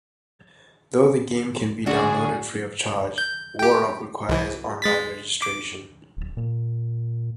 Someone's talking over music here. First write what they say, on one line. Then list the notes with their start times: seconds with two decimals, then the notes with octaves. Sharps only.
Though the game can be downloaded free of charge, War Rock requires online registration.
1.86 D2 D4 F#4 G#4 D5
3.18 G6
3.59 G4 G5
4.29 C2 E3
4.82 G#3 A6 B6
5.42 D6
6.17 D1
6.37 A#2